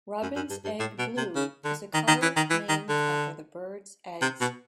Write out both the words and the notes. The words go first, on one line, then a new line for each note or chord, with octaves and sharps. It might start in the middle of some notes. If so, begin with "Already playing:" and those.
"Robin's egg blue" is a color named after the bird's eggs.
F#2
F#2
G2
G2
A2
B2
C3
C#3
D3
D#3
D#3
E3
D#3
E3
D#3
D3
C3
B2